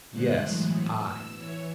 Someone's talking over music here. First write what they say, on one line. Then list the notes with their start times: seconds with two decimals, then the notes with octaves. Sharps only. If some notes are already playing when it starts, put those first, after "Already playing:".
"Yes, I."
0.11 G2 B2 D3 G#3 C5 F#6
0.42 A2 E3 F#3 B3
1.00 E6
1.37 E3 C#5